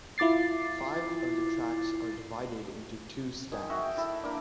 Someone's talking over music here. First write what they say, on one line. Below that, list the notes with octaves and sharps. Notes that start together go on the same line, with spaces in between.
Five of the tracks are divided into two stands.
E4 F4 D6 A6 C7
D#3 G#4
F#4 E5
G5
E4 A4
A#3 D4